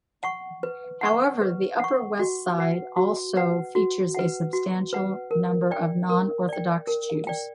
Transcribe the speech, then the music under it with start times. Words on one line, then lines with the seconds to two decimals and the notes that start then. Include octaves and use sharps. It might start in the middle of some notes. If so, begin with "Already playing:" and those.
However, the Upper West Side also features a substantial number of non-Orthodox Jews.
0.24 F#5 C#6
0.63 B4
1.01 F#5 C#6
1.41 B4
1.80 F#5 C#6
2.19 F#4
2.58 B4 F#5
2.96 F#4
3.37 B4 F#5
3.75 F#4
4.15 B4 F#5
4.53 F#4
4.93 B4 F#5
5.31 A#4
5.71 D5 G5
6.09 A#4
6.49 D5 G5
6.87 A#4
7.27 D5 G5